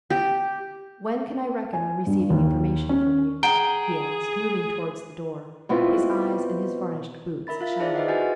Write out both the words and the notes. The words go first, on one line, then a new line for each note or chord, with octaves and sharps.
"When can I reckon on receiving information from you?" he asked, moving towards the door, his eyes and his varnished boots shining.
G4
G#5
G2
D#2
C#4
G#4 F#5 G5 A#5
B2 B3 C4 E4 F4
A#4 E5 B5 A6
F4 F5 A6
D#4 E4 G#4 C5 D5 E5
G#4 B4 D#5 F#5
F#4 B4 F#5 G#5 A6
G4